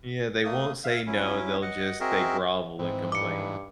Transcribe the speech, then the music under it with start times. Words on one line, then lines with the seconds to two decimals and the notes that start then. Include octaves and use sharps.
Yeah, they won't say no, they'll just they grovel and complain.
0.44 A3 A#3 D#6
0.84 E5 F5
1.07 F#3 C#4 E4
1.62 D#5 F#5
2.00 C4 F#4 G#4 A#4 D#5 E5
2.79 G#2 E3 C4
3.12 G2 D6 C#7